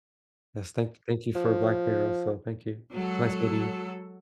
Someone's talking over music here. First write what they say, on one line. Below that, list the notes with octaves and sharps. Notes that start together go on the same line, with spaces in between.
Yes, thank thank you for Black Mirror, also. Thank you. It's nice meeting you.
F3
F#3 G#3 A4